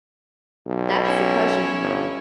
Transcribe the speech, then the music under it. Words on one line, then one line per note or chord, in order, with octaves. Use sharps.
That's the cushion.
B1
C#4 E4
G1